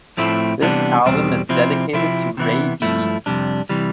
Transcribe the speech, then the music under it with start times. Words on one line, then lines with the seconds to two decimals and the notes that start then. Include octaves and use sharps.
This album is dedicated to Raybeez.
0.17 A2 F3 A3 C4 E4
0.61 C3 E3 G3 B3 D4
1.06 E2 B2 G3 C4
1.49 C3 F3 C4 E4
1.93 C3 F3 C4 E4
2.37 C3 E3 B3 E4
2.82 G2 F3 A3 E4
3.26 F2 C3 G3 D4
3.69 C3 E3 G3